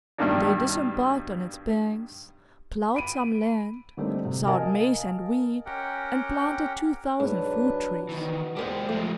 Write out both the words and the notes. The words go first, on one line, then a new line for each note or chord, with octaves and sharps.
They disembarked on its banks, ploughed some land, sowed maize and wheat, and planted two thousand fruit trees.
G2 B2 D#3 G3 A#3 D4
B5 D7 D#7
D3 G3 A3 A#3 C4 D#4
C3
A#4 D#5 F5 G#5 A5
C#4 G4 A#4 F#5 G5
G#2 F#3 D4 B4
B2 D#3 E3 B3
A#2 G#3 D4 G4 A#4 C5 F#5
F3 G#3 A3